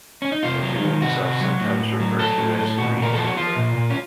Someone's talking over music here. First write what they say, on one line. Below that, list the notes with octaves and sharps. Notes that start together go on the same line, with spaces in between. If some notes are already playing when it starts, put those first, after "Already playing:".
Legumes are sometimes referred to as "green manure".
C#4
D#4
C3 F4
F#3
D#3
C3 F#4
C3
F#3
A2
A2
F#3
F#3 A4
A2
A2
A#2 F#4
A#2
A#4
F3 A4
F#4
F3 F4
A#2
A#2
C#4